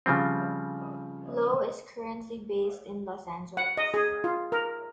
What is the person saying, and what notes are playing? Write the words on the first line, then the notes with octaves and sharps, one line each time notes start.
Low is currently based in Los Angeles.
C#3 F3 G3 C4
F#5
D#5
G#4
F4
A#4